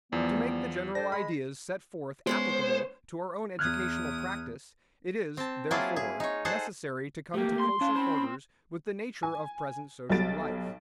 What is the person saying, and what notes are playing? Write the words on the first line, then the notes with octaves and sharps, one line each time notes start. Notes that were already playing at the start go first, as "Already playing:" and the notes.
To make the general ideas set forth applicable to our own educational practice, it is, therefore, necessary to come to closer quarters with the nature of present social life.
E2 F3 G3 B3
D4 A4 C5 A#6
G#3 B5
G#3 B3 C#4 C5
E2 D#6 F6 F#6 G#6
C4 A5
F#3 A#3 E4 F4 G#4 A5
G#4
D#4 C#5
G#4 A4 C5 F#5
A3 A#3 G4
C6
C#4 F5 A5
C4 C5 B5
G#5
B1 F#3 G3 A4 A6 D7